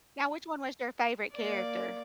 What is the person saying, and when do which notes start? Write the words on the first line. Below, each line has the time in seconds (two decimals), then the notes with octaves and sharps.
Now which one was your favorite character?
1.34 A#3 D5